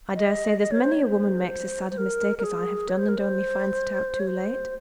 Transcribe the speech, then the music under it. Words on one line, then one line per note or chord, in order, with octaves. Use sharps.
'I dare say, there's many a woman makes as sad a mistake as I have done, and only finds it out too late.
D#5
D#5
C#5
C5
C#5
C5
C5
A#4
A#4
G#4
C#5
C5
A#4
C5
C#5
C5